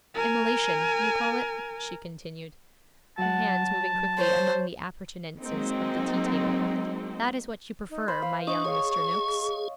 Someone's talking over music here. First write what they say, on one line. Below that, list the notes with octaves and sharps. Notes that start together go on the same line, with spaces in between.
Immolation, you call it?' she continued, her hands moving quickly among the appurtenances of the tea-table. 'That is what you prefer, my young Mr. Noakes.'
A#4 G#5
F#3 F#5 A5
C5 C#5
F#3 G#3 A#3 C4 D#4
D#4
C5 B5
F5
D4 D#5 C#6
G#4 C#5 F5